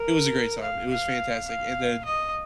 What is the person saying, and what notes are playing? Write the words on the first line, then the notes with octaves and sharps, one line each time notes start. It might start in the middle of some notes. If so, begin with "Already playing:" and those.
It was a great time. It was fantastic, and then
Already playing: A#4
F5
F5
F5
D#5